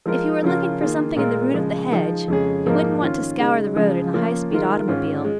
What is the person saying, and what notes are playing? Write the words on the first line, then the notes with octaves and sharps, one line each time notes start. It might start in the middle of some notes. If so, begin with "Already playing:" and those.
'If you were looking for something in the root of the hedge, you wouldn't want to scour the road in a high-speed automobile.
F3 G#3 F4 A#4
C#3 F3 C#4 F4 A#4
D#3 A#3 F4 G#4
A#2 G#3 F4 A#4
C#3 F3 G#3
F3 G#3 D#4
F2 C#3 G#3 C#4 G#4
G#2 F3 A#3 D#4 A#4
D#3 C#4 F4
C#3 G#3 D#4
C#3 F3 G#3
F3 A#3 C#4 F4
D#3 G#3 F4 A#4
G#2 D#3 C#4 F4
G#3